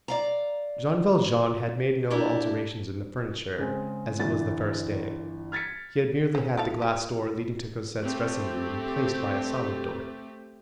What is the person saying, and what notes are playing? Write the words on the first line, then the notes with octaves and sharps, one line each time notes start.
Jean Valjean had made no alterations in the furniture as it was the first day; he had merely had the glass door leading to Cosette's dressing-room replaced by a solid door.
D5 F5 A#5
A#3 D4 E4 G4 A4
C#3 G#3 C4
G1 E3 D4 A6
F6 G#6 A6 B6 C#7
C4 C#4
E4 A4 F5
G4
A3 C4 G4